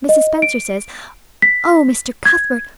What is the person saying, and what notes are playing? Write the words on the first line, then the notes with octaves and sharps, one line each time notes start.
Mrs. Spencer says--oh, Mr. Cuthbert!
D#5
D7
B6
G#6